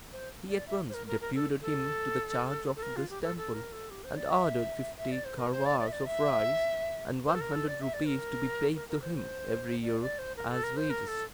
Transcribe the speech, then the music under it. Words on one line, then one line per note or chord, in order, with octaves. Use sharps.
He at once deputed him to the charge of this temple, and ordered fifty kharwars of rice and one hundred rupees to be paid to him every year as wages.
C5
D5
E5
C5
A#4
A#4
A#4
A4
A4
A4
A#4
F4
G4
A4
A4
A#4
A4
G4
C5
D5
E5
E5
D5
C5
A#4
C5
D5
D5
E5
D5
E5
C5
A4
A#4
A4
D5
E5
D5
A#4
A#4
A#4
C5
C5
D5
D5
C5
A#4
A4
A#4
C5
A#4
A4